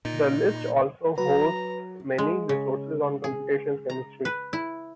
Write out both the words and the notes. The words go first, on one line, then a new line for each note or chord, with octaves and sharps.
The list also hosts many resources on computational chemistry.
A#2 D#4
F#3 B4 A#5
G#3
C#3
G#4
A#5
B4
E4